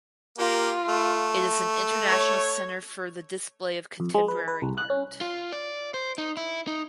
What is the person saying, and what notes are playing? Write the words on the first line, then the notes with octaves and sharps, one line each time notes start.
It is an international centre for the display of contemporary art.
A#3 F4 G4
A3
C#5
F2
G#3
B4
B4
C2
F#6
C#4
F4
D5
C5
D#4
E4
D#4